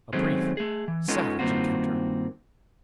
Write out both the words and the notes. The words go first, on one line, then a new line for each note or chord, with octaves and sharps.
A brief, savage encounter.
D#3 F#3 G#3 A3 C4 C#4
A3 G#4
E3
G#3 B3 C#4 D#4 F4 A4
G2 D#3 A#3 C4 F4 F#4